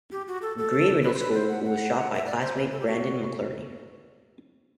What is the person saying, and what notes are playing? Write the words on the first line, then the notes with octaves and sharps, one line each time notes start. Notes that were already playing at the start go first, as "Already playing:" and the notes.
Green Middle School who was shot by classmate Brandon McInerney.
G4
F#4
A4
A4
B4
C5
B4
C5
F#5
F#5
E5
D5
C5
B4
A4
G4
F#4